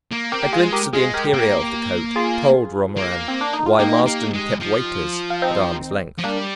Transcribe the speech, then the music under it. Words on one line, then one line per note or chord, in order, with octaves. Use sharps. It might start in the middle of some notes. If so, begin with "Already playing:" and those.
A glimpse of the interior of the coat told Romarin why Marsden kept waiters at arm's-length.
A#3
C4 G4 A#4
A#3 G4
G#3 F4 G#4
G4 A#4
G#3 F4 G#4
G4 A#4
A#3
F4 G#4
A#3
C4
D4
D#4
F4
A#3 D#4 G4
A#3
G#3
F3
F4
C4 D#4
F3
G3 A#3 D4